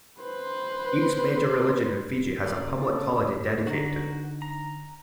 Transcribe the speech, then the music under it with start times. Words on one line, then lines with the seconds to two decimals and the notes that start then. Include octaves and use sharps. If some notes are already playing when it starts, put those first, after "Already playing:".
Each major religion in Fiji has a public holiday dedicated to it.
0.22 B4 C5
2.44 C#3 A3 A#3 D5
2.96 A4 C#5
3.67 D3 D#4 F#4 A#5
4.42 A#5